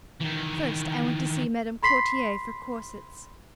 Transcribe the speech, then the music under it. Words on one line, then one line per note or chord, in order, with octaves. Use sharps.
First I went to see Madam Courtier for corsets.
D#3 E3
B5 C6 B6 C7